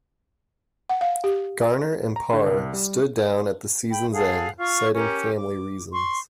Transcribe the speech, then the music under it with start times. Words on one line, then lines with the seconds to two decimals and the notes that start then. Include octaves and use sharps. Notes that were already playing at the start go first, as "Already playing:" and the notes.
Garner and Parr stood down at the season's end, citing family reasons.
0.89 F#5
1.01 F5
1.24 G4
2.16 A#5
2.33 D3
2.46 C2
2.73 G3
3.90 G5 B5
4.13 G#4 A4 F5 F#5
4.58 F4 C#6
4.94 C#4 G4 A#4
5.34 D6
5.92 C6 C#6